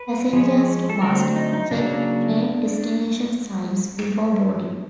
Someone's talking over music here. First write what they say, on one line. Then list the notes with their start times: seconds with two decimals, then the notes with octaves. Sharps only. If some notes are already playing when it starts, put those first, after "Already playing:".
Passengers must check train destination signs before boarding.
Already playing: B4
0.33 F3 G#3 C#4
0.90 A4
1.02 D3 F#3 A3 C4 A#4
1.36 D#4
1.53 D#4
1.71 C#3 F#3 A#3 D4